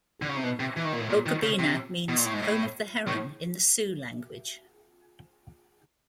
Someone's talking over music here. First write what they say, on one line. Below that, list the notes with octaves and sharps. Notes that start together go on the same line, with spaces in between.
Okabena means "home of the heron" is the Sioux language.
D3
C#3
C3
B2
C3
E3
D#3
A#2
A2
A#2
D#3
C#3
C3
B2
A#2
A2
G#2
A2
A2